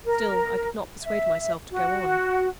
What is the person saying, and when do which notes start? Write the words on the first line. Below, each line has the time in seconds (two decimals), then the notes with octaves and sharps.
Still I could not persuade myself to go on.
0.05 A#4
1.02 E5
1.72 F#4